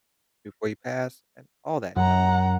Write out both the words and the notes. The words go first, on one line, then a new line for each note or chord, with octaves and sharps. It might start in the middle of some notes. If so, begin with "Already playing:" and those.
before he passed, and all that, you know?
F#2 F#5 A#5